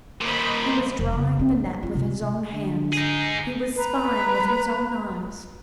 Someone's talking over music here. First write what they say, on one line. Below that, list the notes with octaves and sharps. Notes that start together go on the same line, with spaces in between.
He was drawing the net with his own hands, he was spying with his own eyes.
A#2 D#3 C5 D#5 B5
F1
C#3
D4
F4
C3
D3
D#4 G#4
B4 A#5